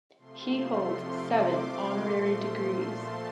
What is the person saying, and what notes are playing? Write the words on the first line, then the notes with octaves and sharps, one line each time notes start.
He holds seven honorary degrees.
C3 F3 A3 C6
C6
D6
C6
A#2 F3 A3
A5